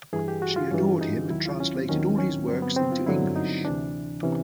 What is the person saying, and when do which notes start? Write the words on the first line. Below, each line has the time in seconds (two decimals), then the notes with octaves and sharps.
She adored him and translated all his works into English.
0.13 G2 E3 G#4
0.28 G4
0.42 F#4
0.56 F4
0.71 G2 E3 C#4
1.01 D#4
1.30 D#2 D#3 F#3 E4
1.45 F4
1.60 C#4
1.75 C4
1.89 D#2 D#3 F#3 C#4
2.18 C#4
2.48 G2 D3 F#3 C4
2.62 B3
2.76 C4
2.92 F4
3.06 G2 D3 F#3 E4
3.36 D#4
3.65 D2 C3 E3 D4
4.23 C3 E3 C#4